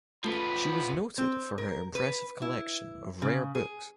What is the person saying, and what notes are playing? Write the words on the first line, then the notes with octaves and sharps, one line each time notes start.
She was noted for her impressive collection of rare books.
F3 A3 B3 B5
C4
A#4
B4
E4
C#3
G#4